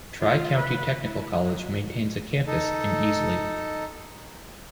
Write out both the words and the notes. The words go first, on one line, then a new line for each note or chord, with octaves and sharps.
Tri-County Technical College maintains a campus in Easley.
F4
B4
E4
F#3
D#4 A4